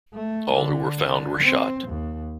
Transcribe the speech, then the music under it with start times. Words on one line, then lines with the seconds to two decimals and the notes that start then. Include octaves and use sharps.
All who were found were shot.
0.14 A3
0.54 D3
0.99 D3
1.43 C4
1.88 D#2